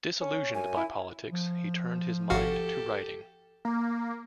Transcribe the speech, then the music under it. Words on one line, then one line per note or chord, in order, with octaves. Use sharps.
Disillusioned by politics, he turned his mind to writing.
C#4
F#2 G#5
E4
F3
G#1 F#4 G4 A4 F5
A#3